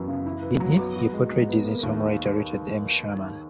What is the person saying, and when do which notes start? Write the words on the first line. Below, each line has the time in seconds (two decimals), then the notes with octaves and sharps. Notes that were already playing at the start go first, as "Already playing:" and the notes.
In it, he portrayed Disney songwriter Richard M. Sherman.
Already playing: F#2 E3 B3
0.08 C#3
0.26 E4
0.42 B4
0.60 F#3
0.78 B3
0.96 F#4
1.13 G#3
1.31 G#3
1.49 B3
1.65 A#3
1.83 D#2